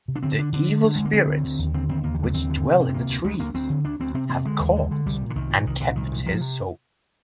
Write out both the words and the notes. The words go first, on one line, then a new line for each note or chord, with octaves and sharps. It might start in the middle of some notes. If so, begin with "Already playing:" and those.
The evil spirits which dwell in the trees have caught and kept his soul.
C3
D4
D3 C4
D3 D4
D3 D4
D3
D3
D3 G#3
A#3
D3 C4
D2
D3
D#2
D3 C4
D#2 C4
D#2 A#3
D#3
D3 G3
D#2 C4
D3
C3
C3
C4
D2 A#3
D2
D2 G#3
D2 A#3
D2 C4
D3
D2 D4
D2 C4
C3 C4
C3 A#3
D3 G#3
D#2
D3
D3
C2 G3
A#2
D3
C2 D#3
A#2
C2 D#3
A#2 D3
C2 D#3
A#2
C3 F3
C3